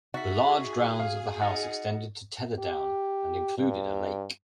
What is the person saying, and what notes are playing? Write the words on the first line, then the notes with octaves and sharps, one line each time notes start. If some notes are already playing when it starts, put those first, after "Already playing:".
The large grounds of the house extended to Tetherdown and included a lake.
D#4 F#4 G#4 E5 B6
F5
D#4 D#5 F#5
G4
G2